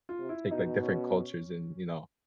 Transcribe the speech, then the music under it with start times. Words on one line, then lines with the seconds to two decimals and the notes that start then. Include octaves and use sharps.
take, like, different cultures and, you know
0.09 F4
0.20 C3
0.29 E4
0.51 B2 D#4
0.83 C#4